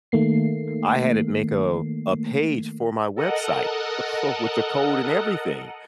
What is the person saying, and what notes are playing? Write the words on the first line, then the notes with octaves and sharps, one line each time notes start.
I had it make a a page for my website, uh, co with the code and everything,
D#3 A3 A#3 C7
A4 A#4 D#5 F#5